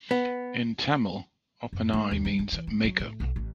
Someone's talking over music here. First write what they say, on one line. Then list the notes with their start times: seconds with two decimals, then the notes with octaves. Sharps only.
In Tamil, 'Oppanai' means make up.
0.11 B3
1.73 F#2
1.93 A3
2.11 D#2
2.25 G3
2.39 D#4
2.52 E3
2.67 G3
2.85 F#3
3.00 A2
3.20 B1
3.36 A1